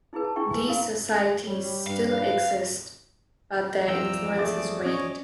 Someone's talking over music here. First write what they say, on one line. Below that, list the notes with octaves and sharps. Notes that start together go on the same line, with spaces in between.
These societies still exist, but their influence has waned.
D#4 E4 G#4 B4
A5
D4 E4 G#4 G5 C#6
B4 G#5
E4 A#4 F5 B5
G3 C#5
G2 B4 F5
E2 F3 C4 D5 G5 A#5 E6
A3 G#4 D6 A6
C#4 C#5 D#5